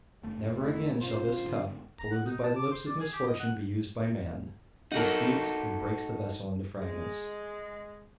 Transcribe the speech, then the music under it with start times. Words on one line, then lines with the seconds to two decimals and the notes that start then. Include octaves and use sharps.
"Never again shall this cup, polluted by the lips of misfortune, be used by man." He speaks, and breaks the vessel into fragments.
0.23 F1 C#3 A3
0.59 D#4 E4
1.00 A#1 C#3 F4 C5
1.44 G#2 D3
1.99 A#5
2.11 F#5
2.26 D#4
2.43 A5
2.56 D6
2.71 C5
2.86 D5
3.00 G#4
3.13 G4
3.26 D#5
3.40 F#5
4.92 D#4 F#4 A4 A#4 F#5
6.80 G#3